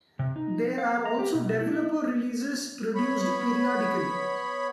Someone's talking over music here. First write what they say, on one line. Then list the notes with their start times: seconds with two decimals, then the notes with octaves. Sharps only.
There are also developer releases produced periodically.
0.19 C3
0.36 D#4
0.78 F5
1.05 A#5
1.19 G4
1.34 B2
1.60 E4
2.95 B3 C#5 B5